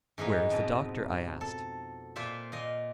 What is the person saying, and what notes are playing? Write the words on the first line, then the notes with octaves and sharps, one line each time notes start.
"Where is the Doctor?" I asked.
G#2 E3 B3 D#4
F2 B2
A4
A#2 F4 C5 E5
A#2 D#5 F5